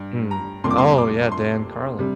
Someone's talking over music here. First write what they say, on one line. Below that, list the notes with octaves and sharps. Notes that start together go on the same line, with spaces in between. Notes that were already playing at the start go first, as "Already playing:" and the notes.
Mm. Oh, yeah, Dan Carlin.
Already playing: G2
A#5
F2 C3 G3 A#3 C6
D6
C6
D6
C6
C3 G3